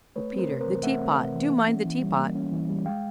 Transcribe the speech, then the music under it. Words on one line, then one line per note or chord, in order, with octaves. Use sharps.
"Oh, Peter--the teapot--do mind the teapot!"
A3 B4 C#5
C4
A#4 C5
C3
A#4 C5
E3
A3 E5 F#5
C4
C3
E3
A#3
C#4
E3
G3
A#3
C#4
E3
G3
G#3 F5 G5